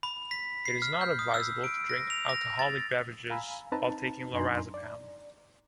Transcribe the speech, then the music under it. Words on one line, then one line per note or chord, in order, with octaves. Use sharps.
It is not advisable to drink alcoholic beverages while taking Lorazepam.
B5
B6
C7
F6
G6
D#6
E6
D7
A#6
F7
A#6
A6
F5 G#5 A#5 B5 E6
C4 D#4 B4 A5 A#5
F#2 D4 D#4 G#5 A#5 C6
D5